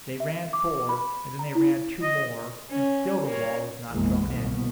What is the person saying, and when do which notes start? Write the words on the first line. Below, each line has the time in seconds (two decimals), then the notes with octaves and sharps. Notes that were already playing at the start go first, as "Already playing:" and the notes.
They ran four, and then they ran two more, and still the ball was not thrown in.
0.20 E5
0.53 D6
0.89 B5
1.39 A#5
1.55 E4
2.02 D#5
2.69 C#4
3.25 A#3 C#5
3.89 A#1 F2 B2 E3 G#3 A#3
4.26 G1 C2 B2 D#3 A#3 B3